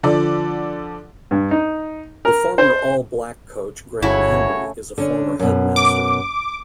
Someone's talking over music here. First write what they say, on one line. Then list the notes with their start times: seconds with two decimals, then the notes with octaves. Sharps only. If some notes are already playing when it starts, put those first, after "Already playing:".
The former All Black coach Graham Henry is a former headmaster.
0.03 D3 F3 A4 D5
1.31 G2
1.51 D#4
2.25 A#4
2.58 C5
4.02 G1 C#3 A3 E4 F#4 C#5
4.98 D3 C#4 D4
5.39 F#2 B2
5.76 D6